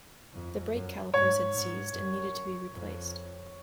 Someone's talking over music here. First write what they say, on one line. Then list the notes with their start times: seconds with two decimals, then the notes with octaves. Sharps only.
The brake callipers had seized and needed to be replaced.
0.34 F2
0.74 F#2
1.13 G#2 C#5
1.54 G#2
1.93 F#2
2.73 F2